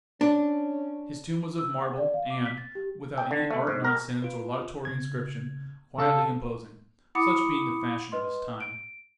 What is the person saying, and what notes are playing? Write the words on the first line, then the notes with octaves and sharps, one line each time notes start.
His tomb was of marble, and, without any art nonsense or laudatory inscription, quietly imposing--such being the fashion of his time.
C#4 D4
E6
F#5
D5
F5
D6
B6
A6
G4
G5
D3
A3
G#2
A#4
F4 B4
C#3 G#6
C#3 C#4 A4 F5
E4 F#5 B5 D6 D#6 C#7
B4 D#5 C6
D7